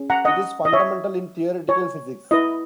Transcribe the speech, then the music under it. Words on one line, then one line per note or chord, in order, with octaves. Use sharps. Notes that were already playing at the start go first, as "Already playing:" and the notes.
It is fundamental in theoretical physics.
Already playing: C#4 G#4
F#5 A#5
D#5 F#5
D#5
C#5 E5
C#5
E4 B4 D#5